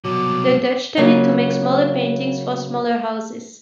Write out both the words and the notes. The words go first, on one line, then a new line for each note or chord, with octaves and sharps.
The Dutch tended to make smaller paintings for smaller houses.
C2 B2 F#3 D6
C#3 F#3 A#3 F4